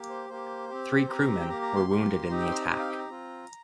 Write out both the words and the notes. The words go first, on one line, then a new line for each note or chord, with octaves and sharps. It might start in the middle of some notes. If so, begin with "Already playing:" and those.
Three crewmen were wounded in the attack.
Already playing: A#3 G4
C5
A#3 G4 C5
C4 G4
C4 G4 A#5
G5
A#3 G4 A#5
A#5
C6
A#3 G4
C4 D#4 G4 A#5
G5
C6
A#5
C4 D#4 G4 A#5
F5
G5
A#5
C4 F4